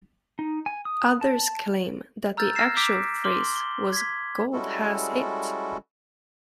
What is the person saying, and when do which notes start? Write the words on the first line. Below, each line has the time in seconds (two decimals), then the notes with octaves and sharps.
Others claim that the actual phrase was Gold has it!
0.39 D#4
0.66 G#5
0.85 D#6
1.21 A5
2.37 A#5 E6 F6 G6 A6
2.55 E6 F6 G#6 A#6 C7 E7
2.77 D6 G6 B6 D7
3.24 C6 D6 F6 F#7 G7
3.56 G7
3.93 G#6 B6
4.53 G3 G#3 C#4 E4 F#4 A4